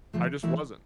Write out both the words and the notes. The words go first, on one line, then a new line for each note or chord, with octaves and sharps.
I just wasn't.
D2 D3 F3 A3
E3 A3 E4 A#4 E5